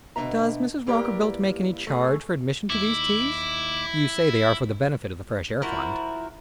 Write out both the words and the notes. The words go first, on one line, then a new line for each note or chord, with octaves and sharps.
"Does Mrs. Rockerbilt make any charge for admission to these teas--you say they are for the benefit of the Fresh-Air Fund?"
D2 B2 C4 D4 E5 A#5
G2 A#3 E4 G4 A#4 D5
A3 G#4
D#2 E4 D6
F3 E4 F#4 A#4